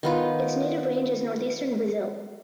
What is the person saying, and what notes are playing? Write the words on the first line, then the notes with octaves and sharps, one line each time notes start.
Its native range is Northeastern Brazil.
D#3 B3 F4